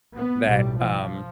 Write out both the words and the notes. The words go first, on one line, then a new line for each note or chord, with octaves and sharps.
that, um
B3
B1 A2 G3
F3